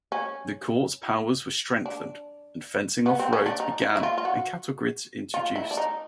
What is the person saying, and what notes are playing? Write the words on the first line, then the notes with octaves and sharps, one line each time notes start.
The Court's powers were strengthened, and fencing of roads began and cattle grids introduced.
C#4
D4
B3
C4
C#4
D4
D#4
E4
E4
F4
F4
F#4
F4
E4
D4
D#4